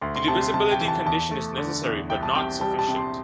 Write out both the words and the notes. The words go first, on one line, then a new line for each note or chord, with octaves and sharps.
The divisibility condition is necessary but not sufficient.
D2 C6
C6
C3 A5
C6
C3 A5
G5
E3
A5
E2 A5
A3
D3
E2
C2 G5
A5
C3 G5
G3 A5
A5
C3
C6